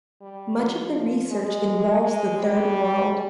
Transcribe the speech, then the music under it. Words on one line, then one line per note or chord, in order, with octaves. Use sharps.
Much of the research involves the Third World.
G3
F3
G#3
G#3
G3